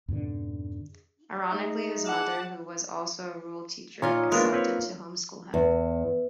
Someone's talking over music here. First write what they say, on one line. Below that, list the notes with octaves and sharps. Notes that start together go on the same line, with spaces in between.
Ironically, his mother, who was also a rural teacher, accepted to home-school him.
F2 G#2 B2 D3
A3 D#4 G#4
F#5 A5 D6
A#2 D#4 F4 C#5
G#3 A#3 B3 D4 A#4
C4 B4 C#5
E2